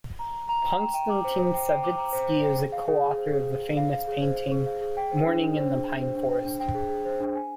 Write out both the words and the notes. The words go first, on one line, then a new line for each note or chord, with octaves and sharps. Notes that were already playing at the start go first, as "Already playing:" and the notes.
Konstantin Savitsky is a co-author of the famous painting "Morning in the Pine Forest".
A#5
A#5
A#5
G5
G5
G5
D6
C5
C5
G5
G5
D6
A#5
C5
C5
G5
G#4
F5
G#4
G#4
C5
G#4
G#4
G#4
F5
F5
G#4
C5
F5
G#4
F5
G#4
G5
C5
D4
D4
C5
D4
C5
C5
D4
G5
D4
G5
G#4
G#4
C5
D4
G#5